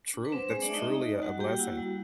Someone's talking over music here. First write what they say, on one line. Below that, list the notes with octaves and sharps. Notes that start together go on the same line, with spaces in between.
tru that's truly a a blessing.
D4
B4
F#3 C4 C5
F#3 G#3 G#4
D4 D5
A3 E5
D#4 D#5
D#4
F#4
G3 F#4 F#5
A#3 G4 G5
E4 F#4 F#5
G3